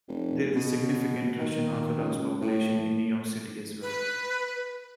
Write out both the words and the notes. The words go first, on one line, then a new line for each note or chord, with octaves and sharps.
There is a significant Russian Orthodox population in New York City as well.
F1
B2
D#3
C#2
A2
B4